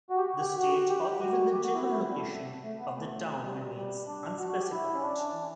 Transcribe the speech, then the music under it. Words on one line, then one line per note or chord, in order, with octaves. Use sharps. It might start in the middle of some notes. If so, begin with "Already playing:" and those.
The state or even the general location of the town remains unspecified.
F#4
G4
F#4
G4
F#4
G4
F#4
G4
F#4
G4
F#4
E4
F#4
E4
G3
A3
A3
B3
A3
G3
G3
D4
F#4
F#4
G4
E4
C#4
D4
E3